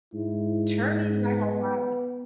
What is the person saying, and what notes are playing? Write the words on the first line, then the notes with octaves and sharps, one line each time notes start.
turning my whole body?
G#2 E4
B3